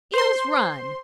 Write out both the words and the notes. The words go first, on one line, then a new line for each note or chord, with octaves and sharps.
"Eels run!"
C5 C6